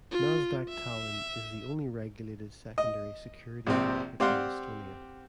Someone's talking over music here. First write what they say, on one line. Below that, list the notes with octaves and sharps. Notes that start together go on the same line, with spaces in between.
Nasdaq Tallinn is the only regulated secondary securities market in Estonia.
F4
E5
D#5
A#1 C3 C4
C4 G4 D5 F5 F#5 C6